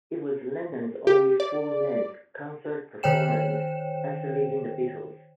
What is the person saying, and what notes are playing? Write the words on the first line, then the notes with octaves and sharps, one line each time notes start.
It was Lennon's only full-length concert performance after leaving the Beatles.
G4
D5
D#3 C5 C#5 G5 E7